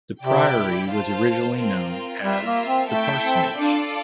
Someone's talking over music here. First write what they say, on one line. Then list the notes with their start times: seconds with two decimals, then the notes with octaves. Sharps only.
The priory was originally known as The Parsonage.
0.22 C3 E4 G4 D5 G5
0.89 F4 C5 F5 A5
1.55 C4 F4 A#4
2.22 G3 F4 A#4 E5
2.44 A#3
2.66 C4
2.89 A3 E4 A4 E5 G5
3.22 C4
3.55 D4 F4 A4 D5